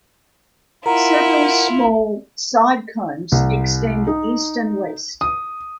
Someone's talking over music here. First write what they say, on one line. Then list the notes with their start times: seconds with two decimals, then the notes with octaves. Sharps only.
Several small side combes extend east and west.
0.86 E4 F4 A#4 F#5 A#5
3.32 C2
4.07 D#4
5.21 D#6